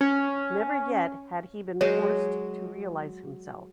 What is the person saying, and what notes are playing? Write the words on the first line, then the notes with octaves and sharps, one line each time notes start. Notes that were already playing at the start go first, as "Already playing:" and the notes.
Never yet had he been forced to realise himself.
C#4
F#3 G#3 G#4 C#5